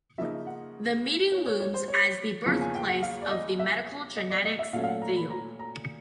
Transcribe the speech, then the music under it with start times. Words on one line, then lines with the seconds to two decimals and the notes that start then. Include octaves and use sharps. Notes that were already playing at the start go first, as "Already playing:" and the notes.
The meeting looms as the birthplace of the medical genetics field.
0.18 C#3 F3 A#3 D#4 E5
0.46 F#5
1.32 C#5
1.46 C#5
1.60 C#5
1.74 C5
1.88 C#5
2.46 E2 C#3 F3 A#3 C#4
2.61 G#5
2.75 G5
2.89 F#5
3.03 F5
3.22 D5
3.31 D#5
3.59 E5
4.17 D#5
4.30 D5
4.45 D#5
4.59 E5
4.73 A#2 F#3 A3 C#4 F5
4.83 F5
4.88 F#5
5.02 A#5
5.16 B5
5.30 A#5
5.59 A#5